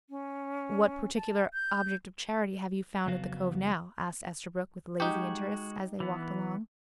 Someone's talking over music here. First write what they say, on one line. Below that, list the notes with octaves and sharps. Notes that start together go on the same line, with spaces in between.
"What particular object of charity have you found at the Cove now?" asked Esterbrook, with lazy interest, as they walked along.
C#4
A5
G6
F2 C#3 F#3 B3 F#4 F5
G#3 D#4 F#4 G4
E3 B3